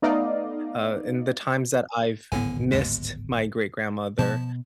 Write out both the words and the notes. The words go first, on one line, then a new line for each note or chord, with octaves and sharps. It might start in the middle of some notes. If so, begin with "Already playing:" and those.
uh, in the times that I've missed my great grandmother
A3 B3 D#4 D5 D#5 F5
D1 G#1 A2 D3 B3 G#5
D#2 G#3
B2 F3 A5